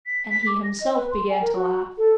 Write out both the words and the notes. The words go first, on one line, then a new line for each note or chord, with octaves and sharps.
And he himself began to laugh.
B6
B6
D6
A#6
D#5
B4
C6
G#5
A#4
F#4
A4